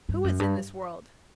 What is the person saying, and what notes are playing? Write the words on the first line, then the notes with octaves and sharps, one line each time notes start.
"Who is in this world?"
G2
F#2
G2